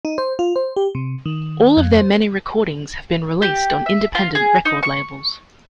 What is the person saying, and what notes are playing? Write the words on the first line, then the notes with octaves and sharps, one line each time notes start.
All of their many recordings have been released on independent record labels.
D#4
C5
F4
C5
G4
C3
D#3
F2
C5
G4
E5
F4
G#4
D#4
C#6